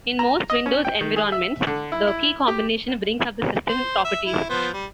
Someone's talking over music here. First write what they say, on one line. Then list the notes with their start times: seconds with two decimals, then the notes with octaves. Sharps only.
In most Windows environments, the key combination brings up the system properties.
0.19 A#5
0.50 D#5
0.66 C#4
0.85 G5
1.01 D#3
1.16 G#4
1.32 E5
1.67 D3
1.92 E4
2.07 E4
2.48 G4
3.69 C5
4.05 E5
4.27 E4
4.50 F3 B3 C5
4.73 G3